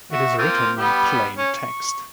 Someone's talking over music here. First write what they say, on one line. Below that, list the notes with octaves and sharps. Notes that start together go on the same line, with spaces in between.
It is written in plain text.
F#4 E5
A#3 C4 F4
G3 B3 G4
C#4
C#6